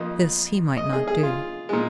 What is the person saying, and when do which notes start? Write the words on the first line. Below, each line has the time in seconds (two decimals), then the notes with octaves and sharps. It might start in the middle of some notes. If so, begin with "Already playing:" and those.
This he might not do.
Already playing: F2 F3 A#3 D#5
0.77 D#5
0.93 G#4
1.07 G#4
1.23 F4
1.69 A#2 G#3